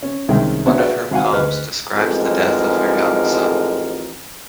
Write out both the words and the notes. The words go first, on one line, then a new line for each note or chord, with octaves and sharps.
One of her poems describes the death of her young son.
C#4
C2 D#3 G#3 C#4 E5 G5
B3 D4 F#4 C#5 E5
F#4 G#4 B4 D5 E5
G#1 F#4 F5 F#5 G#5
D2 G#4 B4 D#5 F6
A1 F2 G#2 G#3 A#4